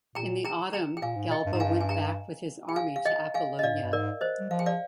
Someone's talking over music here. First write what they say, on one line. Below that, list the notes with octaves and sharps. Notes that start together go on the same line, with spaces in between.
In the autumn Galba went back with his army to Apollonia.
A#2 G5 A#5
G5 A#5
G5 A#5
G5
A#2 F5 G#5
G#2
A#2
D#5 G5
G2
G#2 A#5
G2 F5 G#5
G#5
G5 A#5
G5
F5 G#5
F5
D#5 G5
F5 G#5
D#5
A#2 D5 F5
G#2
G2
G#2 A#4 D5
C5 D#5
G3
F3 F5
G5
D5 F5